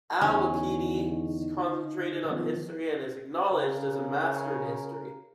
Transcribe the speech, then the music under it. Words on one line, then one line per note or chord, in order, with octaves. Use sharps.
Al-Waqidi concentrated on history and is acknowledged as a master in history.
E2 D3 C#4 D#4
D#3 F3 B3
C#3 A#4